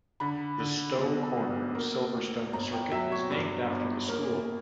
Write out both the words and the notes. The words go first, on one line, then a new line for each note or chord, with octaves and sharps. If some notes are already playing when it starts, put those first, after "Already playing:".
The Stowe Corner of Silverstone Circuit is named after the school.
D3 B5
D3
B1
B1
A#3
D2
G1 A#5
G5
F#3 E5
C#5
G2 D5
G1
A#3